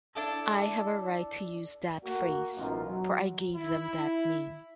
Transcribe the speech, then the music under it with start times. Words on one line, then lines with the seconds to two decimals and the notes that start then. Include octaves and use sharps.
I have a right to use that phrase, for I gave them that name.
0.15 D4 E4 A4
2.04 A3 A#3 F#4
2.58 A1 F#2 B2 D#4 F4
2.87 F#3
3.55 E4